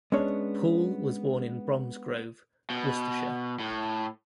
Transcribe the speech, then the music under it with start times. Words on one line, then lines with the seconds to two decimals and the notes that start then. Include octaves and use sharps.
Poole was born in Bromsgrove, Worcestershire.
0.12 G#3 B3 C#4 D4 C#5
2.70 B2
3.60 A2